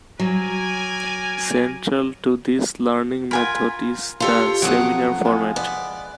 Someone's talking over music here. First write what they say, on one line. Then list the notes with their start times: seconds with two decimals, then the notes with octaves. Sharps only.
Central to this learning method is the seminar format.
0.20 F#3 A#4 D5 G#5
3.31 F4 A#4 G#5 B5
4.20 F4 G4 A4 C#5 C6
4.62 F2 F#3 F#5 A#5 D6 D#6
5.25 F3 G#3
5.56 B3 D5